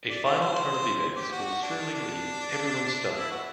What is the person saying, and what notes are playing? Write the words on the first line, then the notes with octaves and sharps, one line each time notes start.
A final turn of events will surely leave everyone stunned!
D5
C5
C5
G4
F#4
D4
D4
E4
F#4